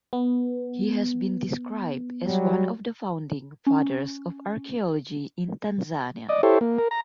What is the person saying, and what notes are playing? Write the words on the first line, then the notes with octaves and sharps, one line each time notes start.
He has been described as "one of the founding fathers of archaeology in Tanzania".
B3
F#3 G3
C#4
D5 D#5
E4 G4 A4 C5 C#5
A#3
A#4
A#5